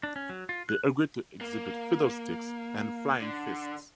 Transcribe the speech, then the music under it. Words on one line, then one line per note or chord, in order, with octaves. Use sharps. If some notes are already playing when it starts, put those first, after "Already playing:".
They agreed to exhibit "Fiddlesticks" and "Flying Fists".
D4
C#4
F#3
F4
F#6
A#3
D3